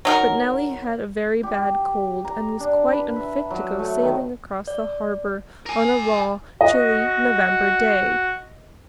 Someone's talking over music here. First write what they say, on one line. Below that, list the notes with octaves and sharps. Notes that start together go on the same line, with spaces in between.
But Nellie had a very bad cold and was quite unfit to go sailing across the harbour on a raw, chilly November day.
F#3 D#4 A#4
G4
A#5
D4
B4
E5
F#3
A3
D#3
D5
A#4 G#5
F#4 D#5